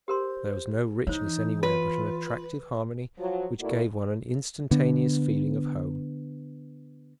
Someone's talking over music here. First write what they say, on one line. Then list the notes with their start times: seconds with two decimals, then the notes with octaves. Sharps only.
There was no richness anywhere, but an attractive harmony which gave one an instantaneous feeling of home.
0.08 G4 A#4 C5 C6
1.07 E3 D#4 C5 C#5
1.63 F4 B4 C#5
3.18 F3 F#3
3.59 B2 A3 A#3 E4 F#4 D5
4.71 D3 B3